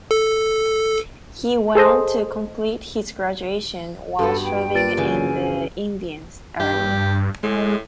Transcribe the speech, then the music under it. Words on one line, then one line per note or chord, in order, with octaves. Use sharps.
He went on to complete his graduation while serving in the Indian Army.
A4
G#4 A4 C5 D#5
G2 B3 F#4 A4
G5
A#2 D4 B4 D5 A6 D7
F#2 C#3 E3 G#5
G2 G4
A2 G#3